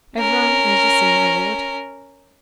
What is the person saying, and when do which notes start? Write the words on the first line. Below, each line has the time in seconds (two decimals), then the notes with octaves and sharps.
"Everyone, as you see, my lord."
0.19 C#4 A#4